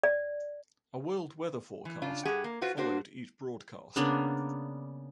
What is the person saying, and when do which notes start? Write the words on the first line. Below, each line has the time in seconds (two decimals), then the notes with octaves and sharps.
A world weather forecast followed each broadcast.
0.03 D5
1.85 E3
2.02 C#3 D4 F4
2.25 G2 G4 G#4 F#5
2.44 A#3
2.61 F4 F#4 B4 C5
2.77 A#3 D4 F#4 C5
3.96 C#3 A#3 B3 D4